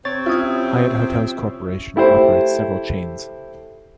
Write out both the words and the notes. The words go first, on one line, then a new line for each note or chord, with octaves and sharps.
Hyatt Hotels Corporation operates several chains.
C3 C4 C#5 A6
C#4 E4 F4 D#6
A3 E4 G4 C5